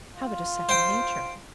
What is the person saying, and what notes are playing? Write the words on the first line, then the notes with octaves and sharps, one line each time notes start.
Habit is second nature.
F4
C5 G5